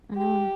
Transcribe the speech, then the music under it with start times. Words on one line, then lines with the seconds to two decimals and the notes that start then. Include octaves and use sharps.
I know.
0.16 G4